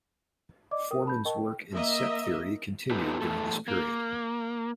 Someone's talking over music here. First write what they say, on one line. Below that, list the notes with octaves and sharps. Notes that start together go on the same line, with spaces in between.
Foreman's work in set theory continued during this period.
D5 D#5 D6
A#4 G5 D#6
A5 B5 G6
A#4 D#5 G5 A5 C#6
G5
A#3 D#5 E5
B3 D#4 F4 G4 A4 B4
E2 A#2 A3 A4
A#3